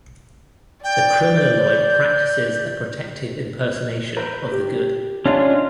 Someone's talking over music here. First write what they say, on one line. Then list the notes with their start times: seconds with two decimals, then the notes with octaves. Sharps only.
The criminaloid practices a protective impersonation of the good.
0.84 D5 G5
1.36 G6
4.17 B4 C5 A#5
4.52 G4
5.26 C#4 D4 F4 D#5